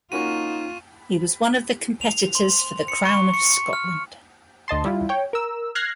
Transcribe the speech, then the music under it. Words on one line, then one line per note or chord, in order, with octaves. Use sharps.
He was one of the Competitors for the Crown of Scotland.
A#3 C#4 D#4 F4 F#4 C#6 D#7
F7
C6
C#7
C#6
C#7
F6
D2 D#5 A5 C6
G3 E4 F4
C#5 G5
A#4 E6
F6 F#6 G#6 A#6 C7